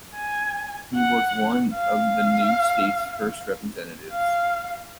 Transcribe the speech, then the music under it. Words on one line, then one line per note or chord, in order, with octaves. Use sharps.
He was one of the new state's first representatives.
G#5
F#5
F5
F5